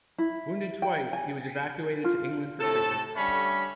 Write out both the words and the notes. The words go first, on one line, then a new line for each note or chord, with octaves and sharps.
Wounded twice, he was evacuated to England for treatment.
E4
G5
G#5
F4
A2 C3 A4
D3 G3 A3 C#4 B5